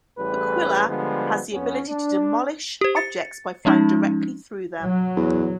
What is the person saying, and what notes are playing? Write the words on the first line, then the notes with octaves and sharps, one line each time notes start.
"Aquila" has the ability to demolish objects by flying directly through them.
A1 A2 G3 G#4 B4
D3 F3 G3 G#3 B3
F2 B3 C#4
D4
G4 C5
A6 C#7
F3 G#3 C#4 D#4
F#3
E2